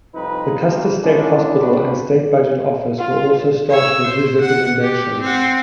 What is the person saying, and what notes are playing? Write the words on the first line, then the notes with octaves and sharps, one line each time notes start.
The Custer State Hospital and state budget office were also started with his recommendation.
C2 F2 C4 D#4 F4 B4
B2 G3 G#3 A#3 C4
G#3 A#3 C#4 D4 E4
C#2 A#3 C4 D4 F#4 B4
F4
C#5 E6
C5
F#5 F#6
G4
C4 F#5